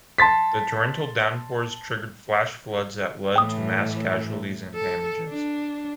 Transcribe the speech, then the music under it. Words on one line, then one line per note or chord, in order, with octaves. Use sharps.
The torrential downpours triggered flash floods that led to mass casualties and damages.
A5 C6 A6 B6
A2 E3 G5 D#6
A4
D4